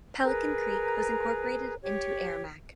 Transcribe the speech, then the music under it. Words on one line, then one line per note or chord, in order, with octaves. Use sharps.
Pelican Creek was incorporated into Aramac.
G#4 A#4 B4 A#5
G4 C#5